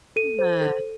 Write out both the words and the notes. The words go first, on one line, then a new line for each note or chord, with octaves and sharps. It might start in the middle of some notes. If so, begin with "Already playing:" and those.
Mm, ah.
A4 D#7
C5
A4